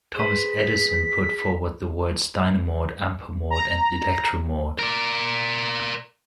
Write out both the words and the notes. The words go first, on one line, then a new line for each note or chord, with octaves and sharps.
Thomas Edison put forward the words "dynamort", "ampermort" and "electromort".
G#4 B4 C5
B6
A#5
A#4 D5